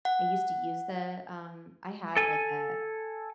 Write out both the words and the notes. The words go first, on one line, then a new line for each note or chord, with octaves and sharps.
I used to use the, um I had, like, a
F#5
A4 G#5